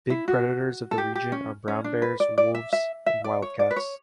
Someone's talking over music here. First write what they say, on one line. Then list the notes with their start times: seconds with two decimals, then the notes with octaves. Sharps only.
Big predators of the region are brown bears, wolves and wildcats.
0.10 E4
0.28 F#4
0.91 A4
0.98 G4
1.15 G4
1.32 C#4
1.68 C#4
1.84 D4
2.02 B4
2.20 D5
2.38 D5
2.55 E5
2.73 E5
3.06 E5
3.24 D5
3.42 C#5
3.59 D5
3.71 B4
3.76 C#5